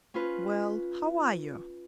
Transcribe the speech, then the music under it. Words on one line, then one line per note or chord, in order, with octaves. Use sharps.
Well, how are you?
C#4 F4 B4